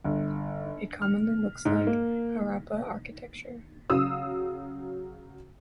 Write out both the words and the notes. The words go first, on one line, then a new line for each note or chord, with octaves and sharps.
It commonly looks like Harappa architecture.
G1
F6
G#2
A#3
C#3 F#3 F5 D#6 E6